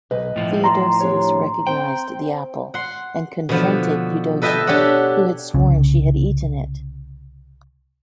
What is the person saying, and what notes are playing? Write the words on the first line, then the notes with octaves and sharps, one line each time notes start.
Theodosius recognized the apple and confronted Eudocia who had sworn she had eaten it.
B1 B4 D#5
A2 F3
D5 A5 A#5 C6
D4 G4 C#5
C4 G5
F#5 C6
B2 D3 F3 B3
A4 B4 D#5 E5 G5 A5
D4 G4 A4 C#5 F#5
C2 C#3 C#4